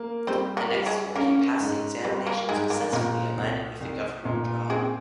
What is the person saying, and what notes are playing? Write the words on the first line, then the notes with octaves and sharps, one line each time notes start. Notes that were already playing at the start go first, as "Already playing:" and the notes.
The next year he passed the examination successfully and landed with a Government job.
Already playing: A#3
G3 C4 C5
A#3 A#4
G3
G#3 G#4
A#3 C#4 A#4
G#2
G3 C4 C5
A#3 A#4
G#2 G#3 G#4
A#3 A#4
A#2 A#3 A#4
C2
C2
A#2
G#3 C4 G#4